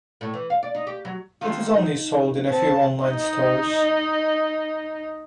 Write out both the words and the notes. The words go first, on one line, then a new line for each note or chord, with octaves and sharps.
It is only sold in a few online stores.
A2
E3
F5
D5
D#4
G4
F#3
D3 D#3 F4
D#4
C4 A5
D#4 D#5